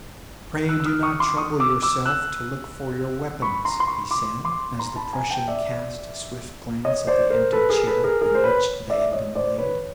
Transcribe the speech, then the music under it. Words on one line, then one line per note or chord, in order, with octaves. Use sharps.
"Pray do not trouble yourself to look for your weapons," he said, as the Prussian cast a swift glance at the empty chair in which they had been laid.
E6 F#6
E6
D#6 F6
C#6 D#6
C6 D6
C#6 D#6
D6 E6
D6 E6
E6 F#6
B5 C#6
A#5 C6
C6
B5 C#6
C6 D6
C6 D6
A#5 C6
A5 B5
G#5 A#5
G5 A5
D5 E5
C#5 D#5
C5 D5
A#4 C5
A4 B4
G#4 A#4
A4 B4
G#4 A#4
G#4 A#4
C5
B4 C#5
D5 E5
C#5 D#5
C5 D5
B4 C#5